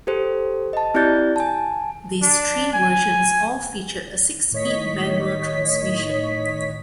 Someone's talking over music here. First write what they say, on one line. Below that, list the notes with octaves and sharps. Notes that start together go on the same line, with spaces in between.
These three versions all featured a six-speed manual transmission.
G4 A4 C5
D#5 A5
C4 E4 G4 D5 G6 A6
G#5 A5
D4
G#5
A2 D#3 C#5 D#5 B6